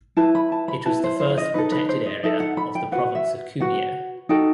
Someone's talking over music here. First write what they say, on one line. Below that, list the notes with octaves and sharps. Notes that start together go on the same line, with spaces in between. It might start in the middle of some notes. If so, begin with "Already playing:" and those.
It was the first protected area of the Province of Cuneo.
E4 B4 A5
B5
A5
B5
E4 B4 A5
C5
C5
C5
D#5
D#4 A4 B4
B4
C5
D#5
D#4 A4 E5
F#5
B5
G5
F#4 B4 F#5
E5
F#4 B4 F#5
D#4 F#4 A4 G5